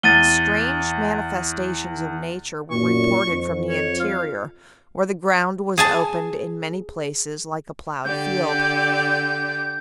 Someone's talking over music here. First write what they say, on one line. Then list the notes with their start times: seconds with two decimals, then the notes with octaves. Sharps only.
Strange manifestations of nature were reported from the interior, where the ground was opened in many places like a ploughed field.
0.03 E2 A6 D#7 G7
2.71 B1 F#2 A#2 C#6
3.28 F2
3.69 C#5
4.00 F5
5.78 G#4 G#5 A5
8.05 D3 G4 D5 G6